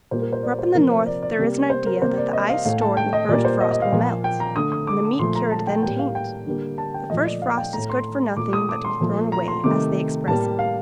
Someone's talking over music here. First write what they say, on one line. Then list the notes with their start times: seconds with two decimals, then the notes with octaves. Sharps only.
For up in the north there is an idea that the ice stored in the first frost will melt, and the meat cured then taint; the first frost is good for nothing but to be thrown away, as they express it.
0.11 A#2 G3 A#3 C5
0.22 A#4
0.33 C5
0.43 D5
0.59 C5
0.75 C3 F3 A#3 A#4
0.91 C5
1.06 D5
1.23 D5
1.39 C3 G3 A#3
1.70 C5
1.86 A#4
2.02 C3 G3 A#3 C5
2.18 D5
2.33 D#5
2.50 F5
2.65 A2 A3 F5
2.81 A5
2.97 G5
3.13 D#5
3.29 A#2 G3 A#3 D5
3.45 C5
3.61 D#5
3.71 D#5
3.82 F5
3.92 A#2 F3 A#3
4.24 G5
4.40 A#5
4.56 D3 A3 D#6
4.72 D#6
4.87 D6
5.19 A#2 F3 A3 C6
5.35 A#5
5.51 A5
5.67 G5
5.83 A2 G3 A#3 G5
5.99 F5
6.15 G5
6.46 D3 G3 A#3
6.78 A5
6.94 G5
7.10 A#2 F3 A3 D#5
7.26 D5
7.42 F5
7.57 G5
7.73 A2 A3 A#5
7.90 C6
8.37 A#2 A3 D6
8.53 D#6
8.69 D6
8.85 C6
9.01 A#2 F3 A3
9.32 A#5
9.48 C6
9.64 C3 D#3 A3 D6
10.27 A2 G3 A#3 A5
10.59 F5